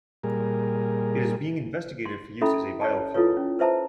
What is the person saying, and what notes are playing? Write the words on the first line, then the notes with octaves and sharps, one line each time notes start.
It is being investigated for use as a biofuel.
A#2 G3 G#4 A#4
C6
C#4 E4 A4 E5 A#5 B5
C#5 D5 A5
E4 F4 A4 B4 C#5
C#4
B4 C5 E5 A5 A#5